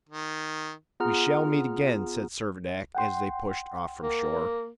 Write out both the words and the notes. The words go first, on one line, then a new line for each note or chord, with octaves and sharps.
"We shall meet again," said Servadac, as they pushed off from shore.
D#3
B3 F4 G#4 F#5 A#5 F6
F#5 G5 C6
A#3